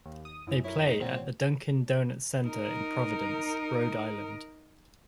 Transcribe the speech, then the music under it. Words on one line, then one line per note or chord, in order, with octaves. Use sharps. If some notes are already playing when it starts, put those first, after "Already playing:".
They play at the Dunkin' Donuts Center in Providence, Rhode Island.
D#2
D#6
F#2 E4
E4 A#4 C#5
D#4
A#2 C4 G4 C#5 F#5
D#4 A#4